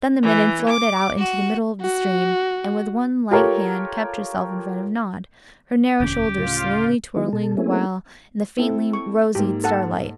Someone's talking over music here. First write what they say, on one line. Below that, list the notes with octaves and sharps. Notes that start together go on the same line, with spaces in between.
Then the Midden floated out into the middle of the stream, and with one light hand kept herself in front of Nod, her narrow shoulders slowly twirling the while in the faintly-rosied starlight.
E3
D6
F#4
F#4
F4 G4 A4 A#4 C#5
E1 D2 D3 C#4 G4
A2 C#3 F4
D#3 F#3 G#3 B3 E4
B2 A4
A3 A#3 C4 C#4 E4 G#4
C4 E4 A4
C#6
G#2 A#3 G4
A4 F#5 A5